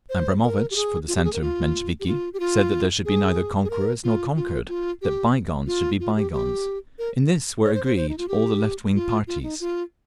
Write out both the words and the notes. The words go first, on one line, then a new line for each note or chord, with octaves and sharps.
Abramovitch, for the centre Mensheviki, said that there should be neither conquerors nor conquered--that bygones should be bygones. ...In this were agreed all the left wing parties.
C5
A#4
G4
G#4
F4
G4
G#4
A#4
F4
G4
F4
G4
F4
G#4
G#4
A#4
F4
F4
F4
G4
F4
F4
G4
G4
A#4
C#5
C5
C5
C5
D#4
F4
G4
F4
F4
D#4
F4